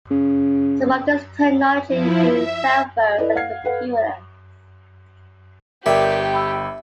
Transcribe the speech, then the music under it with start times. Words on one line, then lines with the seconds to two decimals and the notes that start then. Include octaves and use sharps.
Some of this technology includes cell phones and computers.
0.11 C#3
1.87 F3 E4
2.27 E5
3.18 E4 A4 B4 D5 D#5
3.35 F5 F#5 F6 G#6 C7
3.64 A4 B4 F5 F#5
5.86 G1 G4 A#4 D5 E5 G5 D6
6.34 B5 E6